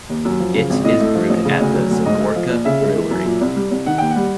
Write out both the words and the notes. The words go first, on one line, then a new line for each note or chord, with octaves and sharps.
It is brewed at the Zagorka Brewery.
D#2
F#2
F3
C#3
G#1
A2 D#5
A3
F3
A1
C#3
D2
F#3
D2
G#2 D#5
A3
F3
A#1
C#3 E5
G#3
E3
F#2
A#2
C2
G3
C2
D#3 F#5
D#2 G5
F#5
G3